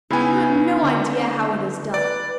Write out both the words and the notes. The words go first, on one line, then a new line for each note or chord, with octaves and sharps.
'You have no idea how it is done.
C#3 B3 D#4 E4 G#5
D3
B4 D5